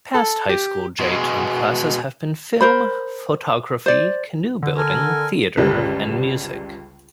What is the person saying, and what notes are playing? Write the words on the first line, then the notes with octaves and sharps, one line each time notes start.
Past High School J-Term classes have been Film, Photography, Canoe-Building, Theater and Music.
A4
G4
B2 G#3
A#4 C5 B5
C5 D5
D3
A4 A#4 G#5
G1 C#2 G3